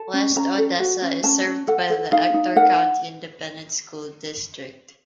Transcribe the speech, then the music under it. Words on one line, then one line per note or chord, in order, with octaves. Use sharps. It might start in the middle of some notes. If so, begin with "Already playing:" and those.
West Odessa is served by the Ector County Independent School District.
Already playing: A4 A5
C#4
C#4 A#5
A4
F#4
C#4
C#4 A5
C#4
A4 F#5
A4
D#4 F5
D#4
A#4 F#5